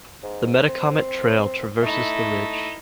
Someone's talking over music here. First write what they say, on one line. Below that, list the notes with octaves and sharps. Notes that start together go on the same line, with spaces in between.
The Metacomet Trail traverses the ridge.
G#2
C4
A3 D#4 E4